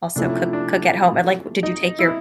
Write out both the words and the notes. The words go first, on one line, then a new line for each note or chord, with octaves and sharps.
also cook cook at home, and, like, did you take your
C3 F3 A3 C#4 D4 E4
D4
D#4
E4